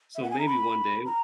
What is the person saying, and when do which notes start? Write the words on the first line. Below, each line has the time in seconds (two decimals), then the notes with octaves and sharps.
So, maybe one day.
0.15 E5
0.23 F#5
0.31 G#5
0.39 A#5
0.46 B5
1.05 A#5